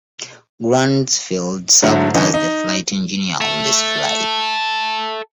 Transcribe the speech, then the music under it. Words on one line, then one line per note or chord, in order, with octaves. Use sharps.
Grunsfeld served as the flight engineer on this flight.
G#2 D3 F#3 A3 E4
D3 E3 C#4 D#4
D#4
A4 E5